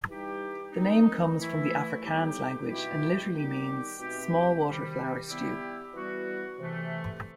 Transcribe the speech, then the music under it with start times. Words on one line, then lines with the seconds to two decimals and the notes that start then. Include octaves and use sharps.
The name comes from the Afrikaans language and literally means 'small water flower stew'.
0.07 E3 G3 D#4 G4
0.72 D#3 F#3 A3 C4 D#4
1.37 E3 A3 E4
2.02 A2 G3 B3 D#4 G4
2.67 B2 A3 C4 E4 G4
3.33 D#3 G3 B3 D#4 G4
3.97 B2 A3 C4 D#4 G4
4.62 C3 D#3 G3
5.27 G3 B3 E4 G4
5.92 E3 G3 B3 F#4
6.57 C3 E3 A3